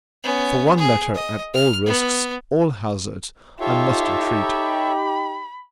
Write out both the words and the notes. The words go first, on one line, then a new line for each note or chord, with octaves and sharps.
For one letter, at all risks, all hazards, I must entreat.
B3 C#4
G#4
D#5
F6
B3
D#4 F4 G4 A4 C#5 E5
B5